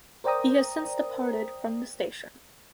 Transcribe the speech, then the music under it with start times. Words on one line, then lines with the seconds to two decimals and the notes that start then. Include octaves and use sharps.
He has since departed from the station.
0.24 A#4 C5 D5 G5 A#5 D#6